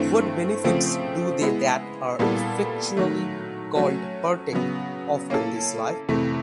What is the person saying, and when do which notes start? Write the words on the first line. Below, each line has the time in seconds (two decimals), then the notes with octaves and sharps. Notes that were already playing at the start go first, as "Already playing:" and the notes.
What benefits do they that are effectually called partake of in this life?
Already playing: G2 E3 A3 C4
0.64 C#3 F3 A3 C4
1.41 G#3 B3 E4
2.19 A#2 G3 B3 E4 A4
2.97 D#3 F#3 A3
3.75 F#3 A3 C#4 F#4
4.53 C#3 F#3 B3
5.30 A#3 C#4 E4 A4
6.09 F2 C3 E3 A3